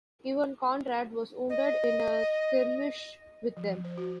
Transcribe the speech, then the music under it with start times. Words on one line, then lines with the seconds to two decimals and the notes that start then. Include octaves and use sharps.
Even Conrad was wounded in a skirmish with them.
1.49 D#5
3.57 F3
3.84 C5
3.98 F#4